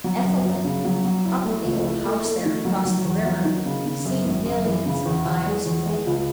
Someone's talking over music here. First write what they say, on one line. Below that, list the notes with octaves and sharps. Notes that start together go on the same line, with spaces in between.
Ethelwyn, up at the old house there across the river, seemed millions of miles away.
F#3
F#2
F#3
C#3
F#3
F#3
E4
A3
C#2
E4
A3
A3
D#3
F#3
F#3
E2
F#3
D#3
C#3
C#3
F#2
G#1
F#2
E3
C#3
E2
E2
G#3
E2
G#3
C#2